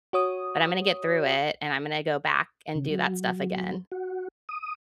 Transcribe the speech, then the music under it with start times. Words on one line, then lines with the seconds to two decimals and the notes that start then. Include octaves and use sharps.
but I'm gonna get through it, and I'm gonna go back and do that stuff again."
0.13 F#4 C#5 D#6
2.75 C#3
2.90 F#3
3.92 F#4
4.49 D#6